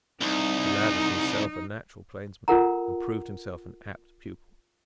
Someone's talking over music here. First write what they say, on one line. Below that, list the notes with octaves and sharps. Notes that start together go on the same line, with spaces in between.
The lad was himself a natural plainsman and proved himself an apt pupil.
C2 D#4
F4 A4 A#4 F#5 A#5